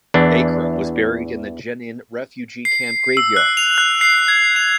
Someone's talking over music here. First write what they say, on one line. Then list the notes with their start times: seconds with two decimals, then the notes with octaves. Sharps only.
Akram was buried in the Jenin refugee camp graveyard.
0.14 E2 E3 D4
2.65 C7
3.17 E6
3.36 F#6
3.57 F7
3.78 F#6
4.01 C7
4.28 G#6
4.56 F7